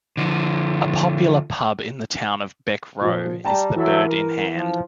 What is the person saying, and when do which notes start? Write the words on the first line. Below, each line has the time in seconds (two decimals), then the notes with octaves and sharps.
A popular pub in the town of Beck Row is The Bird in Hand.
0.17 D3 F3
3.01 A#2 F3
3.45 G3 G5 A5 A#5
3.76 E3 F#3 A4 E5
4.07 A#4
4.55 F3